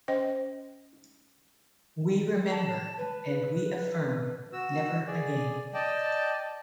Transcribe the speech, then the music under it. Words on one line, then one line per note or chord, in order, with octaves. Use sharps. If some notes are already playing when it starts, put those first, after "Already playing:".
We remember, and we affirm: never again.
C#4 C5 D#5 G5
A5
B4
F#4 E6
G#4 D5
D5 D#5 G5 A5